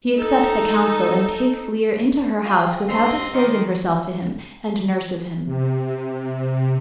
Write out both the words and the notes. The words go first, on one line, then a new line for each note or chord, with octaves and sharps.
She accepts the counsel and takes Leir into her house without disclosing herself to him, and nurses him.
D#4 A4
F4 G#4 G5
G2 C4 D#5 C6
D#3 D#4 D5
C3